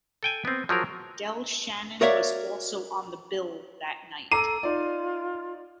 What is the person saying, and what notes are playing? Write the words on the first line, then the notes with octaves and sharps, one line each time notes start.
Del Shannon was also on the bill that night.
A4 G5 G#5
B3 C4
F3 F#3 G#4 A#4
F#4 A#4 C#5 D5 E5 F5
A4 A#5 D6 C7 D#7
D#4 F4 D5